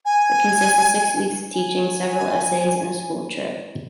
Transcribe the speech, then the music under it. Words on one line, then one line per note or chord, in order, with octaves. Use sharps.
It consists of six weeks of teaching, several essays, and a school trip.
G#5
G#5